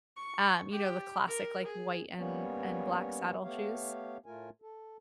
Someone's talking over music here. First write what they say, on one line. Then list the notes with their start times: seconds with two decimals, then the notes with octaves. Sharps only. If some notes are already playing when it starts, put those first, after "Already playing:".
um, you know, the classic, like, white and and black saddle shoes.
0.16 C#6
0.71 G4
1.27 A#4
1.64 G#4
2.17 G3 A#3 B3 C#4 C#5
3.43 A3 B3 G4 C#5 F5
4.26 A2 A3 F4 A#4 G#5
4.62 A4